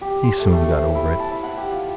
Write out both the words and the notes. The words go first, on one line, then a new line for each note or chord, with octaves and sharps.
He soon got over it.
G4
C6
A3
A3
C5
E4
A5
E4
F#5
G4
F4